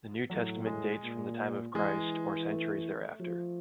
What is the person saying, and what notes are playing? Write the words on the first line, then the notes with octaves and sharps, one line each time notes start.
The New Testament dates from the time of Christ, or centuries thereafter.
A2 F#3
G#3
A#2
E3 G#3
A3
F3